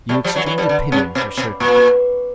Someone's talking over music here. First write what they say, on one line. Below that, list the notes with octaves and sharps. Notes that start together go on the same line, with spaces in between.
You exchange opinion for certainty.
G3 A3
F3 G3
E3 F#3
E3 F#3
F3 G3
D3
C3
B2
B2
A#2